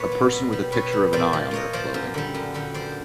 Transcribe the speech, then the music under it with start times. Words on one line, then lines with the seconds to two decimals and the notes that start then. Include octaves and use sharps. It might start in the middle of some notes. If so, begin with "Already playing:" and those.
A person with a picture of an eye on their clothing.
Already playing: A#2 B4 C#5
0.12 F#3
0.32 B2
0.52 G3
0.72 B2 B4 C#5
0.93 G3
1.13 A#2 C5 D5
1.33 F3
1.51 A#2 C#5 D#5
1.73 F3 C5 D5
1.94 F#2
2.14 D3 G3
2.34 F#2
2.54 D3 G3
2.74 F#2 C5 D5